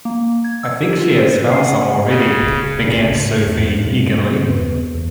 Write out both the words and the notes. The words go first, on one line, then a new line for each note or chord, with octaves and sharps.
"I think she has found some already," began Sophie eagerly.
A#3
G#6
E6
G4
F4
C5
B4
C7
F#5
C#3
G#1 C#2 A#2 C#3
G#2
E2 A2
G2 B2 A3 B3
E2 B3
E2